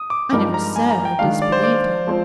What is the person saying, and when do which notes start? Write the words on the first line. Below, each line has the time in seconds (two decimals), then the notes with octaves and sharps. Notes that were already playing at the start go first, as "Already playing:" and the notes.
I never SAID I disbelieved him.'
Already playing: D#6
0.10 D6
0.32 G2 F3 G#3 D#4 A#4 D6
0.54 A#5
0.76 G#5
0.91 A#5
1.05 G5
1.19 D#3 G#3 D4 F5
1.42 D5
1.52 C5
1.63 D5
2.07 F3 G#3 C4 F4 C5